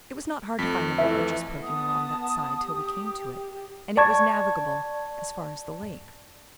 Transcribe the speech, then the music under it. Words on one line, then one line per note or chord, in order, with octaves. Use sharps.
It was not hard to find the river, just poking along that side till we came to it, and it was navigable as far as the lake.
F2 A3 B6
E3 A3 E5
B3 A5 D#6
G4
D5 A5 C#6 G#6